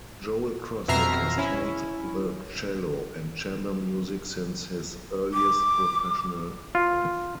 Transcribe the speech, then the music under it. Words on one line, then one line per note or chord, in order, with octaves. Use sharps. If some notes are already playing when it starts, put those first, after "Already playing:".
Joel Krosnick has taught the cello and chamber music since his earliest professional life.
F2 B2 E5 A#5 F6 C7
C#4 E4
D6
F4